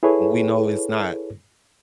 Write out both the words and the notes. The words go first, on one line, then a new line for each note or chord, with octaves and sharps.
We know it's not
E4 G#4 A4 B4 C#5